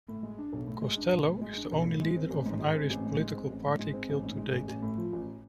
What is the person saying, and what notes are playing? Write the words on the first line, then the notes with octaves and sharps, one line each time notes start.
Costello is the only leader of an Irish political party killed to date.
A2
G#3
D4
B1
A2
G#3
D4
B1
A2
G#3
D4
B1
A2
G#3
C4
A1
G#2
G#3
C4
A1
G#2
G#3
C4
A1
G#2
G#3
C4
A1
G#2
G#3
A1
A1
A2
F3
A1